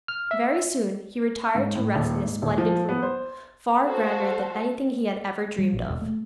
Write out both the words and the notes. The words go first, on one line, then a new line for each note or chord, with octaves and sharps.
Very soon he retired to rest in a splendid room, far grander than anything he had ever dreamed of.
F6
E5
G#2
A2
D#1
G#2
D#1
F3
B3
C5
F#4 A4 C5 F5
G3
A#1
E1
A3